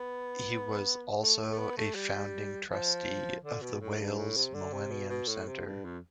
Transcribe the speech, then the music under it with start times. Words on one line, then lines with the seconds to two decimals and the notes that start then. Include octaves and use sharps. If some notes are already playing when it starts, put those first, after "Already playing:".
He was also a founding Trustee of the Wales Millennium Centre.
Already playing: B3
1.22 A3
1.40 A3
1.52 A3
1.58 B3
1.77 A3
1.95 G3
2.70 F3
3.44 D3
3.62 B2
3.81 A2
4.00 G2
4.18 A2
4.37 C3
4.55 D3
4.73 C3
4.91 B2
5.09 B2
5.28 A2
5.48 C3
5.66 G2
5.85 F2